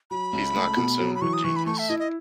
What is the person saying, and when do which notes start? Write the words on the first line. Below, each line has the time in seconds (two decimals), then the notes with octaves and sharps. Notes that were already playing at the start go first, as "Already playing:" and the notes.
He's not consumed with genius.
0.11 F#3 B5
0.33 C#2
0.56 A3
0.77 B2
0.99 F#3
1.15 B5
1.21 E3 C#6
1.33 D#6
1.44 E3 C#6
1.56 B5
1.66 A3 C#6
1.78 E5
1.89 E4 D#5
1.99 D#5